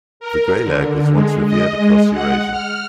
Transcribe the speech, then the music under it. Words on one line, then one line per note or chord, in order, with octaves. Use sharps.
The greylag was once revered across Eurasia.
A#4
D3
G#3
D#5
G#3
F#5
F6